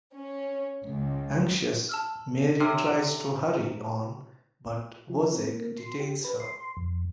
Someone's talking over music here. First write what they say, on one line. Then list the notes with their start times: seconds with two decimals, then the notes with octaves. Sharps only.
Anxious, Marie tries to hurry on but Wozzeck detains her.
0.15 C#4
0.84 C#2
1.89 A5 E6 F6
2.60 C3 C#5 F6
5.10 F3
5.34 C4
5.46 A#3
5.78 C6
6.00 G4
6.24 B4
6.40 C6
6.77 F2